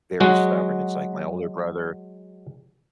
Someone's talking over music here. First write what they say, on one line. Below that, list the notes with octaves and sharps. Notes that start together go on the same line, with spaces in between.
very stubborn, it's like my older brother
F#3 G#3 F#4